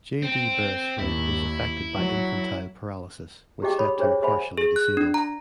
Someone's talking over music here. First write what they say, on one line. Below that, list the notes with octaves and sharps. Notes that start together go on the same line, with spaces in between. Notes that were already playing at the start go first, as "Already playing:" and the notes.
J. D. Beresford was affected by infantile paralysis, which left him partially disabled.
C4
D#2 E4
F#3
E4 G4 G#4 D#5 G5 D6
C#5 B5 D#6
D4 D#4 G#4 C5 C#5 E5
G#4 C5 E5 F#5 G#5 B5
G#4
F#6
D4
A#5